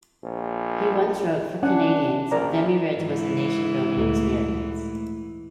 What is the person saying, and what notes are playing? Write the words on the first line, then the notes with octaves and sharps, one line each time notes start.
He once wrote: For Canadians, Vimy Ridge was a nation building experience.
A#1
C#4 D4 F#5
A#1 A#4 D5 A#5
G#2 E3
D2 A#2 A3